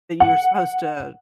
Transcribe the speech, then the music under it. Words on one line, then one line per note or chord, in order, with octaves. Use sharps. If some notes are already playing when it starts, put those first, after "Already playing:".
that you're supposed to
F#5